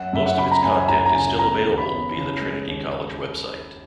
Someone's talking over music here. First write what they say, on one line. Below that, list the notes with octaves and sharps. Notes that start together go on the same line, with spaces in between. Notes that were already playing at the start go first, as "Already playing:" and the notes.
Most of its content is still available via the Trinity College website.
Already playing: F#2 F#5
F#2 E5
F#5
C#3 B5
A#5
F#2 G#5
G#5
F#1 A#5
A#5
C#3 G#5
B3 A#5
D#2
B5
B3
C#3
G#3
D#2